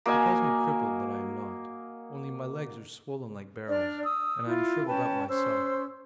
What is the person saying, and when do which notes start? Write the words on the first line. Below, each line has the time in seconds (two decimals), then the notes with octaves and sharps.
He calls me crippled, but I am not, only my legs are swollen like barrels, and I am shriveled up myself.
0.06 A#3 F#4 D#5 G#5
3.67 D4 D5 F6
4.03 D#6 E6
4.45 E4 F4
4.86 C#4 B4 G5 A5
5.28 C#4 C5 C6 E6